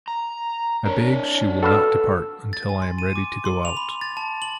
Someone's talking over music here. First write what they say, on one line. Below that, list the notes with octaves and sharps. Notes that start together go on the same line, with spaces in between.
I beg she will not depart until I am ready to go out.
A#5
D4 A#4 C#5
F#4 A4 B4 F5 E6
A6
G#5
C6
D#7
D6
C6
F7
B5
A6
A5
F#7